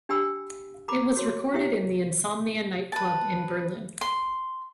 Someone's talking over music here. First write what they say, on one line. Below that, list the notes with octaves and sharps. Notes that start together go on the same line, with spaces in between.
It was recorded in the Insomnia nightclub in Berlin.
D4 G4 G5 G#5 B5 E6
A#5 B5 D6
F#4 C#5 C6
E4 G4 C#5 E5 G5
B4 A5
C6